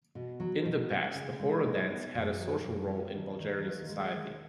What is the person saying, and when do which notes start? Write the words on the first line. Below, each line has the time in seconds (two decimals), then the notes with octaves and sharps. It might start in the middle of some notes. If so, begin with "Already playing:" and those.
In the past, the horo dance had a social role in Bulgarian society.
0.15 B2
0.40 F#3
0.65 B2
0.90 C#4
1.15 C#3
1.40 G#3
1.64 D#4
1.90 B3
2.14 F#2
2.40 F#3
2.64 F#2
2.90 C#4
3.14 D#2
3.39 D#3
3.64 D#2
3.89 G#3
4.15 D#2